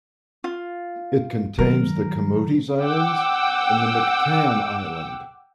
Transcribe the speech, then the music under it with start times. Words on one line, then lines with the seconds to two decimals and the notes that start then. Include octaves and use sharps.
It contains the Camotes Islands and Mactan Island.
0.44 F4
1.59 D#3 F#3 A#4
2.81 F#5 G5 D6 E6